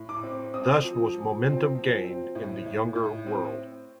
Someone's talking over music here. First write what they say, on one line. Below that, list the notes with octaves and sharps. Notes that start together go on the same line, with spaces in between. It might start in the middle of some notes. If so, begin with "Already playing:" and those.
Thus was momentum gained in the Younger World.
Already playing: A2
D6
C4
C4 D#6
F3
F3
C4
F3
C4
A2
A2
A2
C4